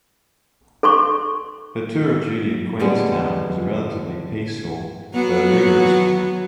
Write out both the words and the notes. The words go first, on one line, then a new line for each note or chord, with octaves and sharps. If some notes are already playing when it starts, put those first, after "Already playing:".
Her tour of duty at Queenstown was a relatively peaceful, though rigorous, one.
A4 C6 C#6
D3 G3 G#3 B3 C#4 G#4
F#3 B3